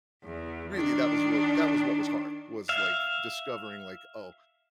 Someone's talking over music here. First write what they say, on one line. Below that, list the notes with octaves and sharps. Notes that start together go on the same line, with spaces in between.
really that was what that was what was hard, was, like, discovering like, "Oh,
E2
D#3 D4
E5 F5